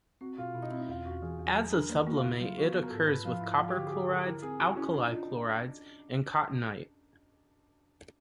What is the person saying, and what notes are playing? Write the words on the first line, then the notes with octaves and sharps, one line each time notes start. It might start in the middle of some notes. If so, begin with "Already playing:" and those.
As a sublimate it occurs with copper chlorides, alkali chlorides and cotunnite.
C4 F#4
B2 F4
B2 E4
D#4
C4 E4
D#4
E2 F4
E2 F#4
E3 G#4
E2
F#3 G#4
D4 A#4
A#3 B4
A#4
A#3 F#4
F4
C#3 E4
F#3 F4
B3 F#4
B3
A#4
G#2 A4
G#2 B4
F3 F4
G#2 E4
F3 F4
G4
D3 F#4
G#4
D3 G4
D3 A4
E4 A#4
C4 G#4
E4 F#4
C#4 E4
D4 F4
D#4 F4